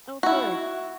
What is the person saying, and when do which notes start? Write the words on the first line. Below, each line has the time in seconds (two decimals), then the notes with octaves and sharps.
Oh, good.
0.23 E4 F#4